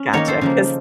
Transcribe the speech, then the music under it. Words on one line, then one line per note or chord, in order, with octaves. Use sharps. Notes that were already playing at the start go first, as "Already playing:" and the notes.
Gotcha, 'cause
Already playing: C#4
D#3 A#3 D#4 A#4 C#5
A4 C5
C#3 F3 A#3